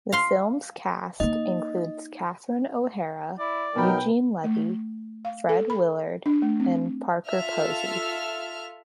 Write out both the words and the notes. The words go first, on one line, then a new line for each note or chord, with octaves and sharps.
The film's cast includes Catherine O'Hara, Eugene Levy, Fred Willard, and Parker Posey.
F5 C6
A#3 D#4 D#5
E4 D5
B2 F#3 D#4 A#4 G5 B5
A3
F5
A4
B5
D4
A3
C4
F4 A4 E5 F6